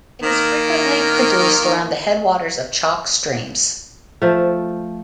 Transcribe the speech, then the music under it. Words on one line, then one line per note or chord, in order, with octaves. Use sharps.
It is frequently produced around the headwaters of chalk streams.
D#3 A#3 A#4
F3 A3